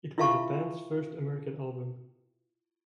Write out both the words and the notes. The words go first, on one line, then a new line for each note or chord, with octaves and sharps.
It was the band's first American album.
E4 F4 E5 F5 A5 C#6